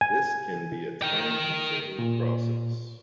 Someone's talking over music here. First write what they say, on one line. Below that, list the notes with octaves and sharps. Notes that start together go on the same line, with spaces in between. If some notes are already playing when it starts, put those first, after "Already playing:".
This can be a time-consuming process.
G#5
A#4 G5
A#2